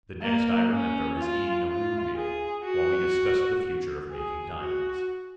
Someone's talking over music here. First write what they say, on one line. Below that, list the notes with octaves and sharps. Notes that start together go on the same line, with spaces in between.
The next I remember is eating a rude meal, while we discussed the future of making diamonds.
A#3
C#4
F4
F4
G#4
F#4
G#4
F#4